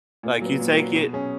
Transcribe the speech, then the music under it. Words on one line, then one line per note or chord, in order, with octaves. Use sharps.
like, you take it,
A#2
F#3 B3
A#2
F#3 B3
B2
F#3 C#4 G#4